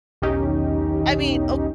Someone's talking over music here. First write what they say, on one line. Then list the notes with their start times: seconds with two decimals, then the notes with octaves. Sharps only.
I mean, ok
0.22 B1 E2 D#3 C#4 D#4 G4